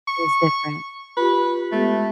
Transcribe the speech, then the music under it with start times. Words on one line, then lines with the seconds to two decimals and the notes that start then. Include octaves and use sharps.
It was different.
0.07 C#6
1.17 F4 G4 B4
1.72 G#3 A3 B3 G4